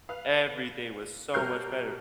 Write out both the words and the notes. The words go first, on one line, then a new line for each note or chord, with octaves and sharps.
Everything was so much better,"
B4 F5
B2 G3 A#4 F6 G6 C7